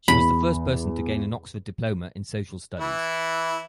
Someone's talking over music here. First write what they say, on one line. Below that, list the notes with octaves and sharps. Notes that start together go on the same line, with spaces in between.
She was the first person to gain an Oxford diploma in social studies.
E2 B5
E3 E4